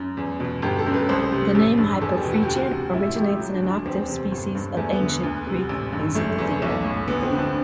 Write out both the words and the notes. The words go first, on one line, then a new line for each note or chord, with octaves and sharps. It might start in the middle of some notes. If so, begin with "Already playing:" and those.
The name Hypophrygian originates in an octave species of ancient Greek music theory.
Already playing: F#2
E2
B2
G1 G4
A4
F#2
B4
C2 C5
C3
A1
G2
E2 A4
G4
B2
F#4
D2 G4
F#4
C3
A1 E4
A2 G4
F#3 F#4
D4
D2
D4
E2 C4
C3
G1
G2
E2 A3
B3
D3
B3
D2
C3
A1
G2
F#1 A3
E2
B1
A2
D2 B3
C4
D3
D4